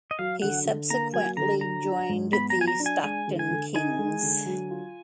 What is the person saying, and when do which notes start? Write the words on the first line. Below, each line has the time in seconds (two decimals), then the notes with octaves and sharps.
He subsequently joined the Stockton Kings.
0.11 D#5
0.19 F#3 F5
0.42 D3 F#5
0.66 D3
0.90 A#3 A#5
1.13 F#3 G#5
1.37 D3 A#5
1.61 F#3 A#5
1.84 D4
2.09 G#2
2.33 B3 B5
2.50 A#5
2.56 F#3 G#5
2.68 A#5
2.80 D4
2.86 G#5
3.03 G#3 G#5
3.28 D3
3.39 G#5
3.51 D3
3.74 D#4 G#5
3.98 G#3
4.22 D3
4.46 F#3
4.71 F4